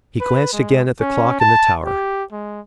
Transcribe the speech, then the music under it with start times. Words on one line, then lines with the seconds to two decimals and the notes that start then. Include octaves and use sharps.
He glanced again at the clock in the tower.
0.20 B4
0.53 G#3
1.01 C#4
1.40 A5
1.85 G4
2.32 G#3